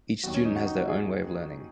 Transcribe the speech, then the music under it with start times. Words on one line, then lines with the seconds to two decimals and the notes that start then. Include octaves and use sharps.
Each student has their own way of learning.
0.23 D#2 D#3 F#3 F#4
0.34 C#4
0.45 D#4
0.56 F#4
0.66 D#4
0.77 F#4
0.88 G#4